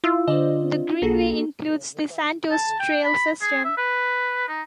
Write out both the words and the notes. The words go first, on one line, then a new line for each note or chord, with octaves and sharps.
The Greenway includes the Santos Trail System.
E4 F4 E6
D3 D4 C5 D5 D#5
B1 A#3 F#4 G#4 A4
A5
G5
B5
G#4
E5
B4
D#4